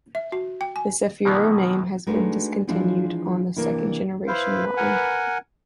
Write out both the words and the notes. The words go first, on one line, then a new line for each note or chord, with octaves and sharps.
The Cefiro name has been discontinued on the second-generation line.
E5
F#4
G5
G#5
B2 D#3 F3 F#3 A#3 B3
G#3 A3 D4 D#4 F#4 B4
E3 F3 G#3 D4 E4 F4
C3 E3 A#3 D4 E4
E4 B4 C5 F5
A#4 F#5 G#5